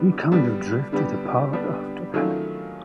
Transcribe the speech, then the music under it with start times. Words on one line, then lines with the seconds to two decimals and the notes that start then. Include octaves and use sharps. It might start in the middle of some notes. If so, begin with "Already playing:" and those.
We kind of drifted apart after that.
Already playing: D3 G3 B3 D4
0.32 D3 G3 B3 D4 G4
0.92 D3 G3 B3 D4 G4
1.53 D3 G3 B3 D4 G4
2.14 D#3 F#3 A3 C#4 F4